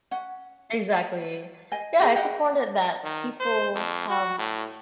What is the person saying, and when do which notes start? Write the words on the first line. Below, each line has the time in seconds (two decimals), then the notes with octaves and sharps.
Exactly, yeah, it's important that people have
0.11 C#4 F#5
1.72 D#5 G#5
2.00 C#4 G4 G#4 G5
2.16 G#4 D#5 F#5 G5
3.04 D#3
3.40 C5
3.75 F2
4.09 F#4
4.38 A2